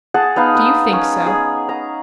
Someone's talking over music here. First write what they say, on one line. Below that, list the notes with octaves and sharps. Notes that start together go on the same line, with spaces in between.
"Do you think so?"
G#4 F#5 A5
B3 D#4 D#5 F5
B4
C#4
G#4
A#5